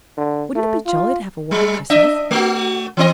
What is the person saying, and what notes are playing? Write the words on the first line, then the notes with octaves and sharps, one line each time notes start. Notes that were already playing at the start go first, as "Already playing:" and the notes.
Wouldn't it be jolly to have a white Christmas?
D3
A3
F4
G3 G#3
D4 D#5 E5
A3 F#4
E3 C4 D#5